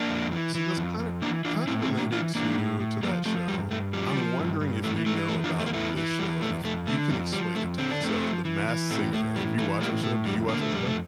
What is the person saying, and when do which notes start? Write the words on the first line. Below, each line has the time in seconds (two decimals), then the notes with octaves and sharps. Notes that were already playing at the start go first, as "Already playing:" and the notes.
So, this kinda kinda related to to that show, I'm wondering if you know about this show, and if you can explain it to me, so, The Masked Singer, have you watched that show do you watch that show?
Already playing: A#3 D4
0.09 F2
0.32 E3
0.55 E3
0.77 F2
0.99 F2
1.22 E3 A#3 D4
1.45 E3 D4 F4
1.67 A2 C4 E4
1.82 C4 E4
1.90 A2
1.97 A#3 D4
2.12 E3 D4 F4
2.35 E3 A#3 D4
2.58 A2
2.80 A2
3.03 F3 G3 A#3
3.25 F3 A3
3.48 G2 G3
3.71 G2 A3
3.93 F3 G3
4.16 F3
4.39 G2
4.61 G2
4.84 E3 A3
5.06 E3 A3
5.29 E2 A3
5.44 D4 F4
5.52 E2
5.59 A3
5.66 A#3
5.73 E3 A3
5.97 E3
6.19 E2 G3
6.42 E2 A3
6.64 F2 A3
6.87 D3 A3
7.10 F2 G3
7.32 F3 G3
7.55 F2 A3
7.78 D3 C4
7.91 D4
8.00 F2 A3 C4
8.23 F3
8.45 E3
8.68 E3
8.90 A2 A3 C4
9.13 A2 A3
9.36 E3 G3
9.58 E3 A3
9.81 A2 G3 A#3
10.03 A2 A3
10.26 F2 G3
10.48 D3 A#3
10.61 A3
10.71 F2 G3
10.87 A3